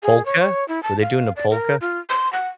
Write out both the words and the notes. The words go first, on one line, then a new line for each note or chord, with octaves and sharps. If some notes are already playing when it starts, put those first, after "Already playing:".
Polka? Were they doing the polka?
G#4
C#5
C#5
E4
A5
F5
D5
A#4
F4
C6
F#5